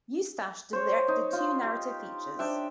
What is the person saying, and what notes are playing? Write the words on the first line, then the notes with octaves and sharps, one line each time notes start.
Eustache directed two narrative features.
C5 C#5
D#4
F4
G4
D4 E5 G5